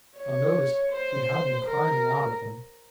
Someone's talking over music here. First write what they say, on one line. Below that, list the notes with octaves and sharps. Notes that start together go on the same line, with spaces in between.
Unnoticed, we had been climbing out of them.
C#5
C5
A#4